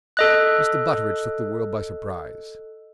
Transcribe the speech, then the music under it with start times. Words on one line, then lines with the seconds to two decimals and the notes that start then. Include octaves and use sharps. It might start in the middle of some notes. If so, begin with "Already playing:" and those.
Mr. Butteridge took the world by surprise.
0.17 A4 D#5 F#6